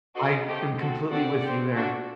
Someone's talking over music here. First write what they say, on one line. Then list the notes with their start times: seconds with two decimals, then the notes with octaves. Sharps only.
I am completely with you there.
0.15 D4 F#4 A4 C5 D#5
0.46 A3 C4 G4 D#5 G5
0.79 C4 F#4 A4
1.10 C4 F#4 A4 D5 F#5
1.43 C4 G4
1.74 D4 F#4 A4